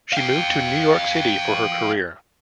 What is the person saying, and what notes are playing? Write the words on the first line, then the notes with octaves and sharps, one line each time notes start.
She moved to New York City for her career.
F5 G5